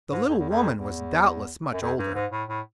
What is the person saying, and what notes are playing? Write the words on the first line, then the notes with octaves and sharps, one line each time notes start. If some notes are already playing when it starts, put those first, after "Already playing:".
But the little woman was doubtless much older.
G#2
F2
E2
F2
E2
F#2
F2
G2
G#2
A2
A2